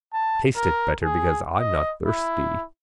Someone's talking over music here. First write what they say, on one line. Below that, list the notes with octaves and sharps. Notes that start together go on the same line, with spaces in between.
Taste it better because I'm not thirsty.
A5
A#4
G#4
D#5
E4